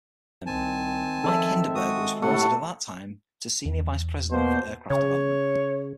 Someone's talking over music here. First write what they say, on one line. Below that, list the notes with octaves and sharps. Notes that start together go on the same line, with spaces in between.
Mike Hinderberger was promoted at that time to senior vice president for aircraft development.
C2 D#3 C4 G#5 A5
F3 A4 E5
G#3 F#4 D#6
A2 C3 A3 F#5
E2
B2 A#3 C5
C#3 C#5